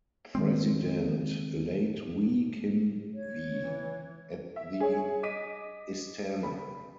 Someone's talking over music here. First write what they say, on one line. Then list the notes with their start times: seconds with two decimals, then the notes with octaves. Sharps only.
President Late Wee Kim Wee at the Istana.
0.35 D#3 G#3 C4
3.14 C#5
3.64 E3
4.56 E5
4.80 G#4 C#5
5.23 D#5 D6 B6 D#7
6.43 B5